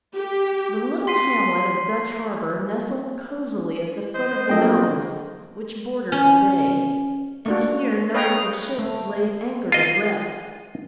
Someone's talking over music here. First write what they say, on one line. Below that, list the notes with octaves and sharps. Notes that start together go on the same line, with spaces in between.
The little hamlet of Dutch Harbor nestled cosily at the foot of the mountains which bordered the bay, and here numbers of ships lay anchored at rest.
G4
C6 B6 C7 D#7
C5 D#5
A#1 F#3 B3 C4 A4 D#5 G5
C#4
A#3 D4 F#4
B4 C#5 D#5 F5 G5 A#5
A3
F4 D#5